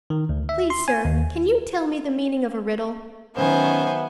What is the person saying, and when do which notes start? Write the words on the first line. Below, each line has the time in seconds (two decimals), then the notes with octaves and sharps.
"Please, sir, can you tell me the meaning of a riddle?"
0.10 D#3
0.29 D2
0.49 E5
0.70 C6
0.88 G#5
1.05 D#2
3.37 D#3 F#3 B3 C#4 C5 E5 G#5